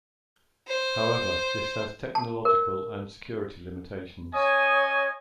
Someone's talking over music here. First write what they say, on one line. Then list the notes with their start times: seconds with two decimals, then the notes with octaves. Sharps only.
However, this has technological and security limitations.
0.67 C5
2.15 A5
2.45 A#4
4.34 C#4 C#5 D#5 G#5 C#6 D#6